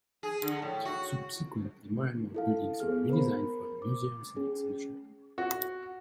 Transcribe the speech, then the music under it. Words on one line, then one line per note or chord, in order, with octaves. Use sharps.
Subsequently, more and more buildings were redesigned for museums and exhibition.
G#4
D3
A2
F#4
E4 A4 F5
B3 G#4 F6
A#4 C5 B5
D6
C#4 G#4
F#4